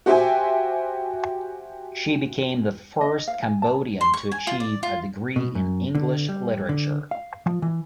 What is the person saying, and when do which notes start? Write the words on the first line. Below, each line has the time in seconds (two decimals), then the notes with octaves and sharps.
She became the first Cambodian to achieve a degree in English literature.
0.06 F#4 G4 C5 E5 G5 G#5
3.01 D#5
3.28 F5
3.42 G#5
3.62 A5
4.01 C6
4.14 C#6
4.32 G#5
4.47 F4
4.60 D5
4.83 F4
5.36 B2
5.55 F#2
5.95 D3
6.29 G3
6.69 D3
7.11 F5
7.46 F3
7.62 E3